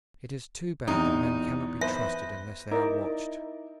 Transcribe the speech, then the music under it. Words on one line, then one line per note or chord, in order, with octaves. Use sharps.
It is too bad that men cannot be trusted unless they are watched.
E2 C3 D#4
B4 C5 E5
D#4 E4 A#4 D5